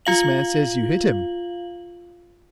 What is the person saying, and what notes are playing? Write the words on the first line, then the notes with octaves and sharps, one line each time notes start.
'This man says you hit him.'
F4 F5 F#7